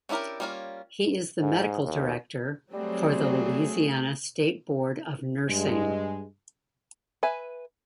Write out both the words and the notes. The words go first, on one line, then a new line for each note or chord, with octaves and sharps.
He is the medical director for the Louisiana State Board of Nursing.
C#4 D4 E4 G4 A#4
G3 A#3 C#4 E4 F4
G#2
D#2
F#3 G3 A3 C4 G#4
G2 G#3
B4 E5 G#5